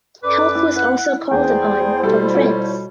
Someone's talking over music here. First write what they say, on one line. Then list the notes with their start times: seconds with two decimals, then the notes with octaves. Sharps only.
Help was also called upon from France.
0.23 F#2 A4 B4 D5 D6
0.55 E4
0.73 F#5 F#6
1.31 E2 E4 G#4 C5 D5 G5
2.03 B2 G3 G4 A4
2.34 F4 A4 C#5